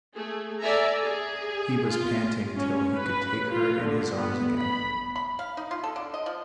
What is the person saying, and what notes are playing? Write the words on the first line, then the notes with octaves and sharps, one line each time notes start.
He was panting till he could take her in his arms again.
A3 G#4
A4 D5 E5 G#5 A#5
G#4
F4
C#4
B4
F4
D3
B3
B5
B5
F5
D#4
F4
A4
D3
D#5
F3